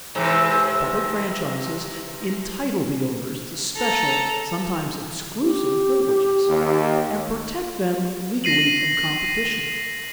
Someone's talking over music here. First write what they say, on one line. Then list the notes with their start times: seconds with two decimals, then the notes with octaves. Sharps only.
Public franchises entitle the owners to special, sometimes exclusive, privileges, and protect them legally from competition.
0.15 G#2 C3 E3
3.77 A4 A#5
5.42 G4
6.48 D#2
8.44 A#6 C7 D#7 F#7